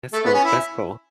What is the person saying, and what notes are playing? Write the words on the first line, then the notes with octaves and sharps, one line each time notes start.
That's cool, that's cool.
A3
B3
C#4
E4